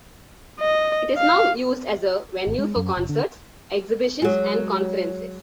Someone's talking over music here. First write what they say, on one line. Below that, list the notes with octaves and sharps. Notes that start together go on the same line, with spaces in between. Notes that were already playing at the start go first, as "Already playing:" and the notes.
It is now used as a venue for concerts, exhibitions and conferences.
D#5
F5
G#1
G#3
F#2
F#1
D3
F#3 G#3